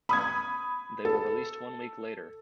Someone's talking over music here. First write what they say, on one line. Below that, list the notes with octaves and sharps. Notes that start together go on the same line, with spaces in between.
They were released one week later.
B5 D#6 G#6
A4